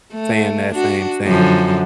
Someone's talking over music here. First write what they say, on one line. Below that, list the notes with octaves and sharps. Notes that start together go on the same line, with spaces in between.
saying that same saying,
A3
D4 F#4
F#2 D3 F3